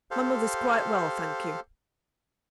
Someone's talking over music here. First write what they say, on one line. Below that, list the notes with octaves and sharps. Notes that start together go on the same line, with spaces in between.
My mother's quite well, thank you.
G4 A4 C5 F5